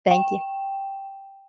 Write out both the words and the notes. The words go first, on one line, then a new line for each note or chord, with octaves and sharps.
thank you.
G5